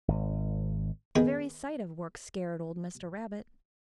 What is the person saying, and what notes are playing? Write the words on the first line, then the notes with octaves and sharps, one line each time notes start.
The very sight of work scared old Mr. Rabbit.
G#1
D#3 B3 G#4